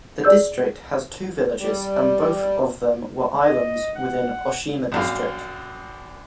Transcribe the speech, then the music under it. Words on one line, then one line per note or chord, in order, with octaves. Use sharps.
The district has two villages and both of them were islands within Oshima District.
G#4 D5 E6 G6
G3
D#5
F#5
A#1 F#2 F5